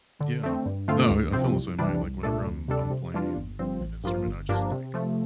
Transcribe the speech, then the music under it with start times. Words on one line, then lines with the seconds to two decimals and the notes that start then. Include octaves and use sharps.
Yeah, no, yeah, I feel the same way, like, whenever I'm I'm playing an instrument, I just, like
0.20 D3
0.44 A3 C4
0.66 G2
0.88 D3 A3 C4 F4
1.10 D2
1.33 C3 F3 C4
1.56 C2
1.78 C3 E3 G3 D4
2.01 C2
2.23 A#2 A3 D4 A4
2.46 D2
2.68 C3 G3 D4 A4
2.91 C3
3.14 E3 G3 D4 F4
3.36 G1
3.59 G2 F3 C4
3.81 A1
4.04 G2 F3 A#3 F4
4.27 G1
4.49 G2 F3 A#3 D4
4.72 C3
4.94 F3 A3